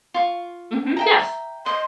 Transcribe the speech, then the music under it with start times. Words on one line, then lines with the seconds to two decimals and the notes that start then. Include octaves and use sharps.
Mhm, yes.
0.14 F4 C#6
0.97 E5 G5 A#5
1.66 D#5 C6